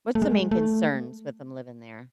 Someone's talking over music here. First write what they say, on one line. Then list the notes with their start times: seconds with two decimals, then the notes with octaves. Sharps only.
What's the main concerns with them living there?
0.15 A3
0.22 G#3
0.51 A3